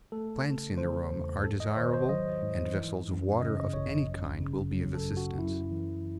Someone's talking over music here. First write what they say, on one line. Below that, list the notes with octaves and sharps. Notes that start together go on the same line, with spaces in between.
Plants in the room are desirable and vessels of water of any kind will be of assistance.
A3 A4
C#3
E3 C5
E2
G#2 A4
D#5
C#5
D#3 C5
C5
F#3 D#5
G#2
E3
F#2
C#3 D#5
G#1 C#5
F#2
C#3
F#3
A4
F#2
F#4
F#2 E4
E3